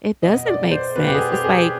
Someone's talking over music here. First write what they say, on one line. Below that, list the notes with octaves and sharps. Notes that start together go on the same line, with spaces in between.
It doesn't make sense. It's, like,
B2 D#5
D5
C5
B2 B4
G4
G#4
G4
G#4
G4